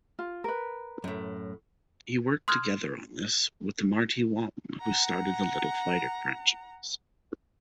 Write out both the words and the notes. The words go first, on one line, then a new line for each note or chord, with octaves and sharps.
He worked together on this with Marti Wong who started the Little Fighter franchise.
F4
A#4 B4
F#2 A2
C6 D#6 F6 F#6 G#6
F#5 A#5